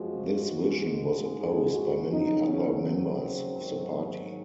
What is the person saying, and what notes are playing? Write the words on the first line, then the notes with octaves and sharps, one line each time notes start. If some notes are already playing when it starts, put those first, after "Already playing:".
This vision was opposed by many other members of the party.
Already playing: F#2 F3 G#3 F#4
G#2 D#3 G#3
G#4
F#4
D#2 C#3 F#3 D#4
C#4
C4
G#2 D#3 F#3